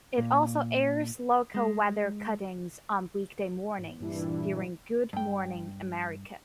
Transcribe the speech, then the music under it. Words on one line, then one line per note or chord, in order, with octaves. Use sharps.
It also airs local weather cut-ins on weekday mornings during "Good Morning America".
A#2
G#3
G#2
G2 A#2 E3 G3 D4 E4
G2 G5